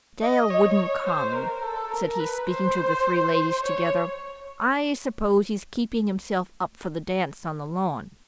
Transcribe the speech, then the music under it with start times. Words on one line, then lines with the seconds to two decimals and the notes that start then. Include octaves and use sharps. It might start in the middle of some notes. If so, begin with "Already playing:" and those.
"Dale wouldn't come," said he, speaking to the three ladies together, "I suppose he's keeping himself up for the dance on the lawn."
0.22 D#5
0.50 C#5
1.06 C5
1.34 A#4
1.63 A4
1.92 A#4
2.19 B4
2.48 C5
3.61 C#5